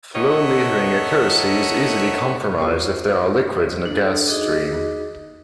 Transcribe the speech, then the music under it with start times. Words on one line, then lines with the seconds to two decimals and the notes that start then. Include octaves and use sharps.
Flow metering accuracy is easily compromised if there are liquids in the gas stream.
0.16 A4 A#4 C#5 D#5 E5 F#5
2.58 F4 F#4 A#4 C5 C#5
3.85 D4 A4
4.27 D#4 F#4 G#4 D#5 D6